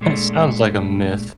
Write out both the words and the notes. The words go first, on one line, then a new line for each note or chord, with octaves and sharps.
It sounds like a myth.
A#2 G#3 A3 D4